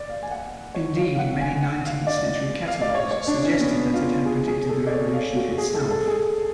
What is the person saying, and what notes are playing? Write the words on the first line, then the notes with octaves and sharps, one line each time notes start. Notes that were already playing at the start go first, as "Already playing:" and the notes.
Indeed, many nineteenth-century catalogues suggested that it had predicted the Revolution itself.
Already playing: D5
F5
G#5
F#5
C#5
F5
F5
F#5
G#5
F#5
F5
D5
F5
D5
C#5
C#5
D4
C#4
B3
F4
G#4
G#4
A4
D5
C#5
F5
F#4
F#4
G#4
A4
A4
G#4